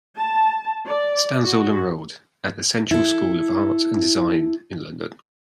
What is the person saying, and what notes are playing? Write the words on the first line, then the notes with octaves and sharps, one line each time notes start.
Stanshall enrolled at the Central School of Art and Design in London.
A5
D5
F#4
E4 A4